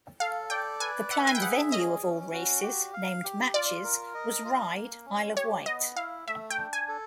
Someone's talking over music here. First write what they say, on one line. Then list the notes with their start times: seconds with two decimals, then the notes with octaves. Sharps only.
The planned venue of all races, named "matches", was Ryde, Isle of Wight.
0.20 A4 F5
0.50 D5 G5
0.80 B4 G#5
1.11 E5 F#5
1.27 G#5
1.35 G5
1.41 G#4 F#5
1.71 C#4 D#5
2.02 C#4
2.32 F#4
2.63 G4
2.93 F5
3.24 G4
3.54 F4 D5
3.84 A#4
4.14 D#5
4.44 F4
4.76 A#3
5.06 C#4
5.36 G4 C#5
5.66 B3 D#5
5.96 E4 F5
6.28 A3 E5
6.50 G5
6.58 D4
6.73 G#5
6.88 A4